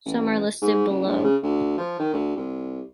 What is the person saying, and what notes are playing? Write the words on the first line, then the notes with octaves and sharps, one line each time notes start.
Some are listed below.
A1
G#2
F#1
A#1
C#3
D2
F3
D#3
D2
C2